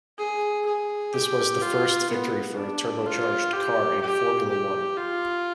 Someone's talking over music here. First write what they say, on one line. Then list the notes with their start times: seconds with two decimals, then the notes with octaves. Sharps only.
This was the first victory for a turbocharged car in Formula One.
0.18 G#4
0.66 G#4
1.14 G4
1.62 F4
2.10 B3
2.57 D4
3.06 F4
3.53 G4
4.01 G4
4.49 G4
4.97 F4